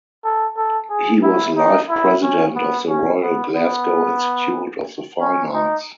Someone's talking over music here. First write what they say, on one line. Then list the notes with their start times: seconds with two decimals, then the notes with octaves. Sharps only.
He was Life-President of the Royal Glasgow Institute of the Fine Arts.
0.24 A4
0.57 A4
0.90 G#4
1.23 E4
1.57 D#4
1.89 E4
2.23 C#4
2.55 B3
2.89 C#4
3.22 B3
3.55 B3
5.20 C#4
5.54 D#4